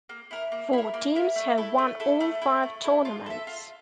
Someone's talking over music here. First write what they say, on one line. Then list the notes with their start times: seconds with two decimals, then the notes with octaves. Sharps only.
Four teams have won all five tournaments.
0.09 A#3
0.31 E4 A#4
0.52 A#3
0.73 E4 A#4
0.94 A#3
1.15 E4 A#4
1.36 A3
1.58 E4 A4
1.78 A3
2.00 E4 A4
2.20 A3
2.42 E4 A4
2.63 A3
2.84 E4 A4
3.05 F4
3.26 A4 E5
3.47 F4